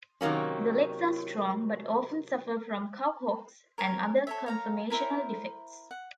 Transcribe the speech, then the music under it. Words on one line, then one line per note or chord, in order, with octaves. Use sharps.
The legs are strong, but often suffer from cow hocks and other conformational defects.
C3 D#3 F#3 A#3 C#4
A#4 C#5
A4 C#5 E5
C#5 F5 A#5
E4 A#4 C5 E5
F#5